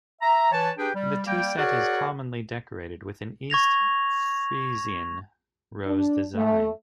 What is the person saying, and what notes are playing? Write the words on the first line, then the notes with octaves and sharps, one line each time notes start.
The tea set is commonly decorated with an East Friesian Rose design.
E5 A#5
E3 B4 C#5 A5
D4 G4 G#4 B4 G5
G3
G3 A#3 G5
F#4 G#4 A#4 C#5 D5 F#5
C#6 G#6 A#6 F7
D4
A3